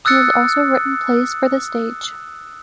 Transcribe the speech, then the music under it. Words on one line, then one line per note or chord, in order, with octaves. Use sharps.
He has also written plays for the stage.
D#6 E6 F#6 A6 C#7